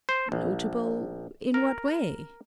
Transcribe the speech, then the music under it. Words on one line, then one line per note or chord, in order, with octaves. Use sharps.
"Notable--in what way?"
C5
A#1
A#4